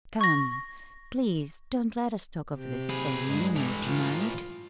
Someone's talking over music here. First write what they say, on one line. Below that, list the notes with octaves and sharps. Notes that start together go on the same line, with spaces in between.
Come, please don't let us talk of this thing any more to-night.
C#6 A#6
C3 G4
G#4 B4
G2 G#3
A2 E3
F4